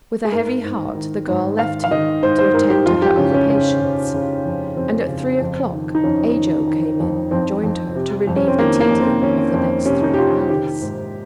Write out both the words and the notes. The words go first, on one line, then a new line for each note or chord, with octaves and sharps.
With a heavy heart the girl left him to attend to her other patients and at three o'clock Ajo came in and joined her, to relieve the tedium of the next three hours.
G#4
G#2 A#4
G#2
D#3
G#2
D#3 F5
F5
D#3 D#5
G#2 C5
C5
G#2 A#4
G4
F2 F4
G4
C#3 C#4
C#4
C#3 C#4
C#3
C#3
F2
F2 C4
C#3
F2
D#3
D#4
F2 C#4
D#3
D#3
F2
F2 C4
F2
C3
F2
C#4
C4
D#3 A#3
A#3
F2
C4
D#3 C#4
F2 C4
C3 C#4
D#4
G4
C3 F4
D#3 G4
G#2